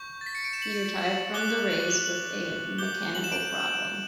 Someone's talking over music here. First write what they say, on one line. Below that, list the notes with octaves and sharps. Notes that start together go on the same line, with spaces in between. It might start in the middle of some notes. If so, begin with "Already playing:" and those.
He retired from the race with a mechanical problem.
Already playing: C#6 G6
A6
B6
C#7
D7
E7
F#7
D6 F#6 G7
F#7
G7
F#7
D6 G6 G7
F#7
E7
D7